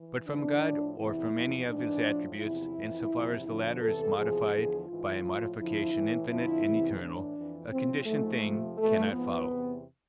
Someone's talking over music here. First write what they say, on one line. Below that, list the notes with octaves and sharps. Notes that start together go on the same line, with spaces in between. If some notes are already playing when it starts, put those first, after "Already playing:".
But from God, or from any of his attributes, in so far as the latter is modified by a modification infinite and eternal, a conditioned thing cannot follow.
Already playing: E3
G#2 E3 D4
A2 F3
E2 C3 E3 E4
E2 C3 F3
G#2 E3 D4
A2 F3
E2 C3 F3 E4
F2 E3
E2 C3 F3
F2 D3 F3
E2 C3 E3 A4
E2 C3 F3 G#4
E2 D3 F3
G#2 E3 F4
A2 F3
F2 D3 F3 E4
A2 E3
F2 D3 F3 E4
E2 C3 E3
A2 E3 D4
F2 E3
A2 F3 C4
G#2 F3 A3
F2 C3 F3
E2 B2 A3
G#2 F3 B3
E2 C3 E3